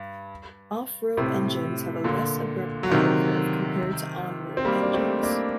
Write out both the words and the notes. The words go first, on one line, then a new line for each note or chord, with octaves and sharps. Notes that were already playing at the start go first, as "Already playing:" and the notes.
Off-road engines have a less abrupt power curve compared to on-road engines.
Already playing: G2
A2 C3
A#2 D3
F#3
C3 D#3
C4
G3 A#3
D4
A3 C4
A#3 D4